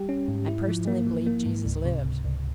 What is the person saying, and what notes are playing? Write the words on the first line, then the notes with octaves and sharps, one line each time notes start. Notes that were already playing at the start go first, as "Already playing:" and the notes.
I personally believe Jesus lived.
Already playing: G3 G4
C#4
G#2
E4
F3
A#3
F3
A#3
G#2
C#2
C3
C#2
C#2